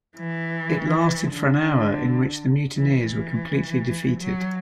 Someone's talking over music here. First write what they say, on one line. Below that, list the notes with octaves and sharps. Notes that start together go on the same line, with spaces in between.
It lasted for an hour in which the mutineers were completely defeated.
E3
D3
E3
E3
F#3